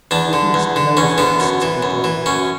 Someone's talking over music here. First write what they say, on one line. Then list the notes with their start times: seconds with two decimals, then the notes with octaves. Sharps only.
Goodness knows what's to be done.
0.11 E2 D4
0.33 D3
0.54 E2
0.76 D3
0.97 E2 C#4
1.18 D3 B3
1.40 F#2
1.62 E3
1.83 F#2
2.04 E3
2.26 F#2 C#4